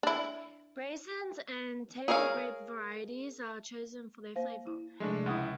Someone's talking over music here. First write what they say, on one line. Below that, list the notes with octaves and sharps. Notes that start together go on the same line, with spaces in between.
Raisins and table grape varieties are chosen for their flavour.
D4 E4
G#4 A#4 C#5 D#5 F5
A#3 C5 F5
E4
C3 F3 G#3 A3 D4
C#2 E4 F#5 D#6